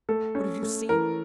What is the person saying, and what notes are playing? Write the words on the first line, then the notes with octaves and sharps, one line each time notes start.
What have you seen?
A3 A4
C#4
A3
E3 A#4